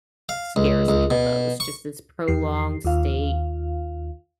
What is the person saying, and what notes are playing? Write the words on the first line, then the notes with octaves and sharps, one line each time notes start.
scares me the most. Just this prolonged state
F5
C#2
C#2
B2
C#6
E2 G4 C7
D#2 F4 F5